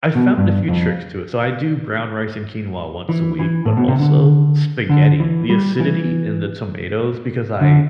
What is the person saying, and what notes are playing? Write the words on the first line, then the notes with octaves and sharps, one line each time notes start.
I found a few tricks to it, so I do brown rice and quinoa once a week, but also spaghetti; the acidity in the tomatoes Because I
B2
G2
F2
E3
E3
A2
B2
C3
D3
D3
E3
G3
E3
D3